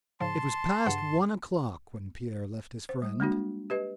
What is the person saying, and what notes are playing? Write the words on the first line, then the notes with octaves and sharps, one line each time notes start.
It was past one o'clock when Pierre left his friend.
G#2 C#3 F3 A5 C6
G2 C#3 F#5
C5
G3
G#3 A#3 D4 F#4
G4 B4 D#5